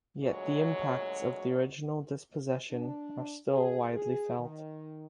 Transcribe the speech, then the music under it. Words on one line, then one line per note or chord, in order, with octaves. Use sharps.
Yet the impacts of the original dispossession are still widely felt.
D2 A#2 F#3 G#3 C#5
D4
G#4
G#4
D#3